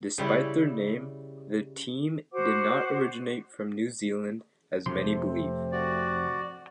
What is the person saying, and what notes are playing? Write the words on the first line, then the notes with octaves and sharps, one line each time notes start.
Despite their name, the team did not originate from New Zealand as many believe.
C#3 G3 E4
F#4 C5 F#5 D6
F2 C3 A3 C4 C6
F#4 D5